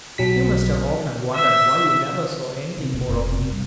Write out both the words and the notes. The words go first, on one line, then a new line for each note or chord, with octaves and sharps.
You must have often wondered why you never saw anything more of me.
B1 F#3 B6
E5
C3
A#2
F1
C3
G2